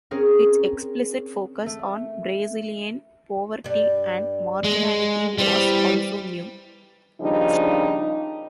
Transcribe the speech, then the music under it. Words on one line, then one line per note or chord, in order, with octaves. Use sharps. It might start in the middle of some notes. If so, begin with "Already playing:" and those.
Its explicit focus on Brazilian poverty and marginality was also new.
C4 C#4 G#4 A#4
A3
G2 G3
G#3
E2 E3 G3 C4
D#2 C#3 F3 G3 D4 D#4